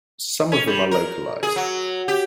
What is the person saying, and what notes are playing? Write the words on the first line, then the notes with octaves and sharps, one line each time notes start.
Some of them are localized.
C#4
G3
A#4
G#4
F#3
G4